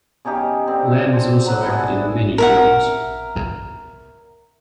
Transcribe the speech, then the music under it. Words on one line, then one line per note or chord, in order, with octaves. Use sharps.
Lam has also acted in many films.
C#3 C#4 D#4 G4
D3 C4
C5 A5
F#3 B4
A3 D4 E4 G#4
A#4 E5 F#5